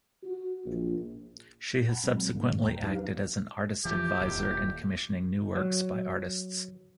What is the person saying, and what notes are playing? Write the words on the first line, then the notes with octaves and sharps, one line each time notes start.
She has subsequently acted as an artist advisor in commissioning new works by artists.
F#4
A#1
F#5 A5 B5
A#2 F#3 G#3 C4
G#2 D3 D#3 G3 G#3 A#3
E2 G3 G5 A#5
F#3 D4 D#4 G4 B4 F5
E3 F3 G4
D#1 D#2 A2
F#3